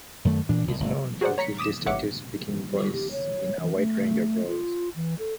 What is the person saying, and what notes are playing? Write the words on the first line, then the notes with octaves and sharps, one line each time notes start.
He is known for his distinctive speaking voice in a wide range of roles.
F#2 D#3 A3
A#2 E3 D4
C2
G1 A3
F#4 G#4 A#4 C5 D5 F#5
C#5 A#5 B6 C#7
D6 D#6 B6 E7
A1 C#5 E5 F#5 D6 C#7
G3
G4
C#5
E3
A3
F4
E3
A4